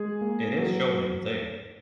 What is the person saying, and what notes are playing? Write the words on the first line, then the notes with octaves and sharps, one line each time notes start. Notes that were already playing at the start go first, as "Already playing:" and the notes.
It is shown in the table.
Already playing: G#3 G#4
A#3
F#3